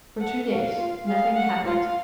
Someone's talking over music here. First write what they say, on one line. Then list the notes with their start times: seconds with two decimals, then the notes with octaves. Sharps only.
For two days nothing happened.
0.19 A4 F#5
0.49 F#4 F5
0.78 F4
1.07 G#4 F5
1.36 F#5
1.64 F4 F5